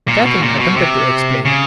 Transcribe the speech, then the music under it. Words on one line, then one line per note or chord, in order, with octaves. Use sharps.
Catherine attempted to explain.
A#2
B2
A#2
B2
C3
C#3